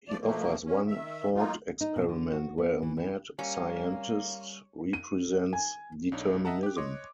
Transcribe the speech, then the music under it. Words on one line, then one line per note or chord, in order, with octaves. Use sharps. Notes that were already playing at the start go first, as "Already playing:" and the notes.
He offers one thought experiment where a mad scientist represents determinism.
F3 A3 D5
B2 F3 A3 A#3
C#4
D#3 E5
F#3 A#3 D#4 F4
D#4
B2
D3
F#4
B3
E3
E3
G3 A#3 C#4 G4 C#5
D#7
G#5
B1 D4 D#4 C#5
D#5 E5 F#5 A5 A#5
G4 F#6
C#5 D#5 C6 D6